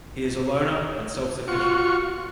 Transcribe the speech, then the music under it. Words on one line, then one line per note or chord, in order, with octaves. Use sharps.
He is a loner and self-sufficient.
F4 F#4 C#6